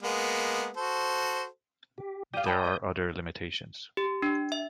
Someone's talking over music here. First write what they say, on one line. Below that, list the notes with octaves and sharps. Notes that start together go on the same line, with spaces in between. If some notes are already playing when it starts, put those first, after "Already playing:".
There are other limitations.
G#3 A#3 B3
F#4 A4 C5
G4
G4 D5 F5 D#6 G6
G5 A5 B5
A#4 E5
G4
D4
E5